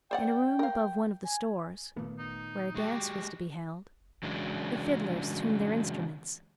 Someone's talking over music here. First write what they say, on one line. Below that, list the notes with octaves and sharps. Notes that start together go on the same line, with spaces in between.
In a room above one of the stores, where a dance was to be held, the fiddlers tuned their instruments.
C5 D5 F#5 G5
A#4 F5
G#5
A#2 D#3 A3 B3
D#4
G#3 F#4 G4 A6 C#7
C#3 E3 F#3 G#3 D4